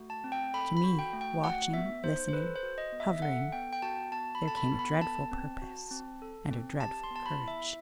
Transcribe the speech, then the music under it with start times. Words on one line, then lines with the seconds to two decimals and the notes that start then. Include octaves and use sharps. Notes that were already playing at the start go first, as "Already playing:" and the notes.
To me, watching, listening, hovering, there came a dreadful purpose and a dreadful courage.
Already playing: A3 F#4
0.10 A5
0.24 C4
0.32 G5
0.54 A4 B5
0.77 B5
0.84 F#4
0.99 G5
1.13 A3
1.21 G5
1.43 F#4 F#5
1.73 B3 E5
2.04 D#4 C5
2.29 C5
2.33 A4 B4
2.56 C5
2.63 F#4
2.78 D#5
2.92 B3
3.00 E5
3.18 E5
3.22 A4 F#5
3.52 B3 G5
3.73 G5
3.82 F#4 A5
4.12 B3 A5
4.35 B5
4.42 A4
4.48 A5
4.57 B5
4.72 B3
4.79 B5
5.01 A4 A5
5.31 C4
5.62 F#4
5.91 C4
6.22 A4
6.51 C4
6.80 G4 A5
7.04 C6
7.11 B3
7.16 A5
7.26 B5
7.41 E4
7.48 E5